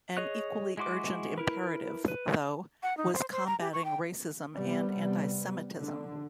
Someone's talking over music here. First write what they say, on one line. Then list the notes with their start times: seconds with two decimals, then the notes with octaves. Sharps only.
An equally urgent imperative, though, was combating racism and anti-Semitism.
0.17 G#4 C#5 D#5 C#6 F#6
0.77 G#3 E4 F#4 C6 D6
1.38 E4 A#4 B4
2.08 B4
2.83 F#5
2.97 D#4
3.14 C5
3.32 C5
3.47 A#5
3.60 G4
3.73 C#6
3.85 G5
4.55 C3 G3 B3
5.81 D3